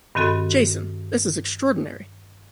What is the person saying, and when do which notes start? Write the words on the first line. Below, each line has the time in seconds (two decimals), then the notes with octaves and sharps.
Jason, this is extraordinary!
0.15 G2 D#3 C4 F#4 A4 B5